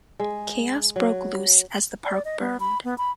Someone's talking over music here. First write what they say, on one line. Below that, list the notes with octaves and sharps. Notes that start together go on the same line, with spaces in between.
Chaos broke loose as the park burned.
G#3
F#3
D5
D#5
B3
B5
B3
B5